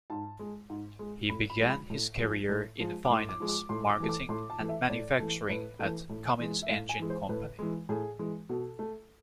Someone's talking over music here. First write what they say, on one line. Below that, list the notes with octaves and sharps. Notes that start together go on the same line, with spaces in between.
He began his career in finance, marketing, and manufacturing at Cummins Engine Company.
G#2 A5
G#3
G#2
G#3
A2 B5
B5
F3 G#3
B5
A2
F3 G#3
A2
F3 G#3
D6
A2 C6
D6
F3 G#3
D6
A2 C6
D6
E3 A3
D6
A2 C6
A5
E3 A3
E5
A2 D5
E3 A3
A2 B4
E3 A3
A2
E3 G#3
E5
A2 F5
G#5
E3 G#3
C5
A2 B4
E3 G#3
A2 G#4
E3 G#3
B2 A4
A3